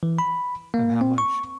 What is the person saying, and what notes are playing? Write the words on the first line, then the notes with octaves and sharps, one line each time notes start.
of how much
E3
B5
A#3
C4
C#6